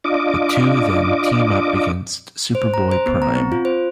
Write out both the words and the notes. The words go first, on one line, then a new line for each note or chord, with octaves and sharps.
The two then team up against Superboy-Prime.
D4 F4 D#5 D6
C5
A#5
C5
B3
A#5
C4
F4
C5